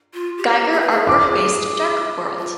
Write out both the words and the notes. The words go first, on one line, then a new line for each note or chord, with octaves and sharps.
Giger artwork-based Dark World.
F4
G4
G#4
B4
G#4
D6
F4